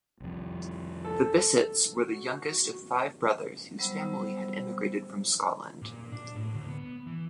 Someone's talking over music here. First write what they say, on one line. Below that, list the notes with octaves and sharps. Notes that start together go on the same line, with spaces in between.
The Bisset's were the youngest of five brothers whose family had emigrated from Scotland.
C2 F2
A4
F#4
F#3 G3 B3 C5 E6
A#2
D4
A2
D2
B3
E3